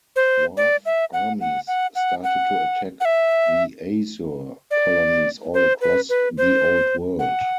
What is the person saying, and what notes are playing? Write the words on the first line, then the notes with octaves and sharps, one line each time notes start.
Dwarf armies started to attack the Asur colonies all across the Old World.
C5
D5
E5
F#5
F#5
F#5
F#5
F#5
F#5
E5
D5
C5
B4
B4
C5
F#5